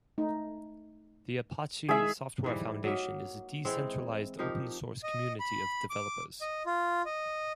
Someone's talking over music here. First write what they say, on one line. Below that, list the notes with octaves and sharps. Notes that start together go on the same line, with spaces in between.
The Apache Software Foundation is a decentralized open source community of developers.
A3 D#4
D#3 G#3 E4 G#4 E5
G#2 E3 G3
F#3 A#3 D#4 E5
E3 G#3 C4 G#4
F3 D#4 G4 A#4
D#5
B5
D6
D#5
F4
D#5